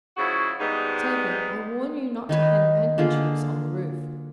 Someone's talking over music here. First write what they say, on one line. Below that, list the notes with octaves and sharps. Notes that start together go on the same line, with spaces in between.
Tavia, I warn you not to hang handkerchiefs on the roof.
C#3 F3 G#3 E4 F#4
G#2 G3 G#3 B3 D#4
D#3 D#4 B4 C#5
D3 A#3 F4 G#4